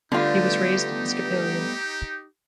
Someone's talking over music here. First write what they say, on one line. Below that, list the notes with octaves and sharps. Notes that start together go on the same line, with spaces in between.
He was raised Episcopalian.
D3 G3 A3 B3 D#4 F4 G4